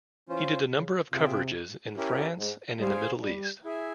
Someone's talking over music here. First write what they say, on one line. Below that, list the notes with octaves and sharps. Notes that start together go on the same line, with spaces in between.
He did a number of coverages in France and in the Middle East.
E3 C#4 F4 C5
C#3
C3 F4 G#4 E5 G5
C#4 E4 G4 A#4
G#2
G3 G#4 C5 F5 G#5
G3
E4 G#4 E5 G#5